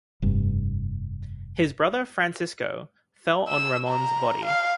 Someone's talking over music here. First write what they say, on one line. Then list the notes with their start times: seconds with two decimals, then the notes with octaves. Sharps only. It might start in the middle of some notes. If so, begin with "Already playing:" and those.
His brother Francisco fell on Ramon's body.
0.22 F1 G2
3.48 E6
3.88 A#5
4.45 F5